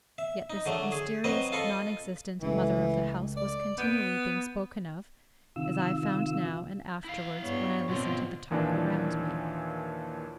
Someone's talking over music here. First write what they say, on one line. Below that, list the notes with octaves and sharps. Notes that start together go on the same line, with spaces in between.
Yet this mysterious non-existent mother of the house was continually being spoken of, as I found now and afterwards when I listened to the talk around me.
E5
D#4
D3 F#3 A3
G#4
F#3 C4 B4 D#5
F4 A4 D#5 B5 C#6
C#2 E3 A3
D5
B3 G6 D7
C3 D#3 F4 E6
E4 F5
G2 B3 C#5
B2 D3 C4 F4
D#2 A#2 E3 F3 D4